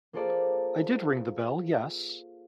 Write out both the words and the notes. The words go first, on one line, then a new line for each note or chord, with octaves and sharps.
I did ring the bell, yes.
A#3 F4 G#4 A4 C5 D5